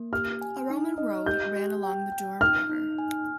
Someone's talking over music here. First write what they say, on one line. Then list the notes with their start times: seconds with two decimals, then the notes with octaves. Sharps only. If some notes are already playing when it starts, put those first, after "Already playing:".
A Roman road ran along the Durme river.
Already playing: A#3
0.12 G4 F6
0.41 G#5
0.70 D#4
0.98 D#5
1.26 G4 G6
1.56 G4
1.83 G5
2.12 G5
2.41 D#4 F6
2.69 D#4
2.98 G#5